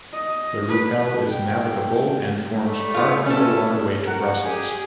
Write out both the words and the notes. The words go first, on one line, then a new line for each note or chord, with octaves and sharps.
The Rupel is navigable, and forms part of the waterway to Brussels.
D#5
B4
G5
G3 A3
B3 F4
C#4 A4
A#4 F#5
G4 G#4 G#5